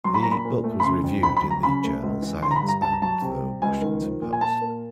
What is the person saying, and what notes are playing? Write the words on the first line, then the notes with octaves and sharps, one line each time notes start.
The book was reviewed in the journal "Science" and the "Washington Post".
F#3 C6
B5
A#2 A#5
B5
A#2
A3
B5
C#3 C6
F2
F2 B5
B5
F#3
A#5
C#3 B5
A3
C#2
E3
D3 C6
A#5
B5
G2
A#5
G2 A5
A#5
F#3 A5
C3
G3
C#2 G#5
D#3
F3
A#2
G#5
A#2 A5
A#3